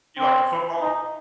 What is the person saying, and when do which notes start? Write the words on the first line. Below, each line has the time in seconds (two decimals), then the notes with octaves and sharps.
You like the football?
0.19 C4
0.82 D#4